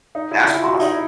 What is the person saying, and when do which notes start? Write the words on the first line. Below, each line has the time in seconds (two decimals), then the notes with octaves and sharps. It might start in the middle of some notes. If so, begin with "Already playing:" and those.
That's possible.
0.15 D#4
0.31 E4
0.47 E4
0.56 F4
0.64 F#4
0.72 G4
0.80 D#4
0.91 E4